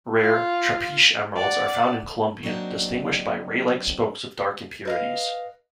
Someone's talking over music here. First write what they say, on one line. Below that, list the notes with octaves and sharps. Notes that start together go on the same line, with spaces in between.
Rare "trapiche" emeralds are found in Colombia, distinguished by ray-like spokes of dark impurities.
F4
D5 F#5
F#3 A#3 C4 D4 D#4
B4 D#5 F5